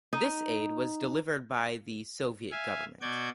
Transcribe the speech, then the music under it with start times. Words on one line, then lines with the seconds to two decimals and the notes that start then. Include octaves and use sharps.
This aid was delivered by the Soviet government.
0.13 D#4
2.51 E5 F5 G#5
3.01 B2 F#4 D5 G6 G#6